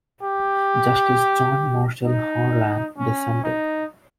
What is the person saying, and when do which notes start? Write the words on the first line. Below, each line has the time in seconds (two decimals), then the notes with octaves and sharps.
Justice John Marshall Harlan dissented.
0.22 G4
2.05 D#4
2.97 C#4
3.44 D#4